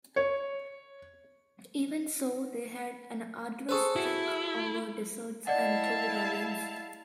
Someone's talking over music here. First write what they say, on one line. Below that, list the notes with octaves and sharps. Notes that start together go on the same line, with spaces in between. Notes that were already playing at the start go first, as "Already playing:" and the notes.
Even so, they had an arduous trek over deserts and through ravines.
C#5
G#4 A4 B4 C5 C#6
E4 F#4
E4 D5 D#5 F5 F#5 A5